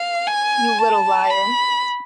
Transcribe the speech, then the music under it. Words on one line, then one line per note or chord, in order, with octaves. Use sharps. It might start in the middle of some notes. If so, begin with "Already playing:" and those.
You little liar!
Already playing: F5
G#5
A5
B5